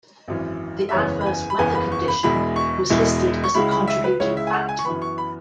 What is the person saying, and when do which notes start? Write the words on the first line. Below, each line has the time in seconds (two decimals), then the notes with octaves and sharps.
The adverse weather condition was listed as a contributing factor.
0.28 G#1 F#2 E3
0.89 E5
0.93 F#1 E2 C#3 E3 B3 C#5
1.21 B5
1.26 G#5
1.50 B5
1.58 F#1 E2 C#3 E3 B3 G#5
1.75 B5
1.92 C#6
2.08 B5
2.23 E1 E2 B2 G#3 E4 B5
2.56 C#6
2.89 E1 E2 B2 G#3 E4
3.44 C#6
3.54 C#2 C#3 G#3 E4 B5
3.71 B5
3.88 E5
4.04 B4
4.20 C#2 C#3 G#3 E4 C#5
4.37 E5
4.47 G#5
4.53 F#5
4.69 G#5
4.79 C#6
4.85 F#2 E3 B3 B5
5.02 C#6
5.18 B5